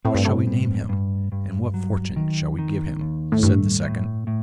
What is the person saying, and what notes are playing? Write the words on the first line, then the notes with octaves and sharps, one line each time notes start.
What shall we name him, and what fortune shall we give him?' said the second.
A2 C4
G2
A2
G2
G2
G2
F#3
D#3
D#3
D#2
A2
G2 A3
A2
A2